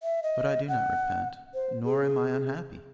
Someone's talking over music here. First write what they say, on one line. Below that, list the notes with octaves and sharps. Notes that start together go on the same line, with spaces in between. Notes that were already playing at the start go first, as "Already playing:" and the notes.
But I do not repent, nor am I unhappy.
E5
D#5
F#5
C5
G#4